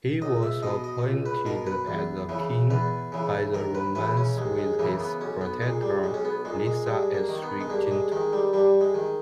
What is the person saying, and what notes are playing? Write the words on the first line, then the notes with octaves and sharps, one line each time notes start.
He was appointed as King by the Romans with his protector Lysias as regent.
C#2 D#5
E5
B2 D#5
D#5
C#2
B4
B2 A#4
B4
E2
C#3 E3
E2 B4
C#3 E3
D#2 A#4
B4
C#3 E3 B4
C#4
D#2 G#3
G#3
C#3 E3 A#3
B3
B1 C#4
B3
A#2 G#3
G3
B1 G#3
C#4
B3
A#2 G#3
G#3
G2 G#3
A#3
D#3
B3
G#3
G2 A#3
G#3
D#3 G#3
G3
G2 G3
G#3
D#3